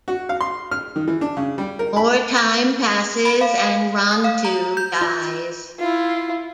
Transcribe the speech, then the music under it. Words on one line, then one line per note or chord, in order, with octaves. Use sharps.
More time passes and Rontu dies.
F#4
F5
C6
F6
D#3
E3
D4
C#3
G3
A#4
B5
B5
F5
F5
D#6
F5
A#5
G6
F4
E4 F4